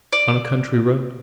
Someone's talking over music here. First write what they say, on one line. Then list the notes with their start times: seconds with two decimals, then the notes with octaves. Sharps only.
On a country road?
0.13 D5